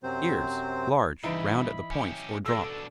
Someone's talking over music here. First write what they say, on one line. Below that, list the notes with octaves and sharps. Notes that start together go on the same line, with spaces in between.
EARS--Large, round at the points or drop.
F#2 C3 F#3 C4 C5
G2 C#3 E3 D#4 E4 A#5 B5 D7
C#4 G4
B2 D4 A4 E6 A#6